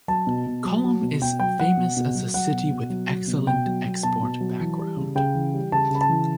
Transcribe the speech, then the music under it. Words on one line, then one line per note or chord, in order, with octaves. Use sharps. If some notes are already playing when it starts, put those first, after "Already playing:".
Kollam is famous as a city with excellent export background.
F#3 A5
B2
B2
F#3
F#3
B2
B2 G5
F#3 G5
F#3 F#5
B2
B2
F#3
F#3 F#5
B2
B2
F#3
F#3
B2
B2 G5
F#3
F#3
B2 A5
B2
F#3
E3
G3
C#3
C#3 G5
E3
G3
C#3 A5
C#3 B5
A5
E3